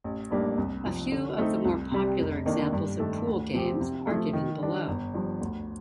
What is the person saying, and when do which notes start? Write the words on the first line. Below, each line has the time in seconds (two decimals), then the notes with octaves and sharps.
A few of the more popular examples of pool games are given below.
0.04 A1
0.31 A2 G3 A#3 D4
0.58 C2
0.85 C3 F3
1.12 D3
1.38 A3 C4 D#4
1.65 C2
1.91 C3 G3
2.19 F1
2.45 F2 D#3 A#3 D4
2.73 G2
2.99 D#3 A3 D4 A4
3.27 D2
3.53 C3 F3 C4 G4
3.81 C3
4.07 F3 A3
4.33 D#3
4.61 G3 D4
4.88 G1
5.14 G2 F3
5.41 D2